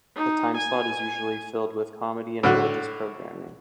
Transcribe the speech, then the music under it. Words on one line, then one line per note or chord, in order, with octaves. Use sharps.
The time slot is usually filled with comedy and religious programming.
D#4
G#5
A2 D3 F#4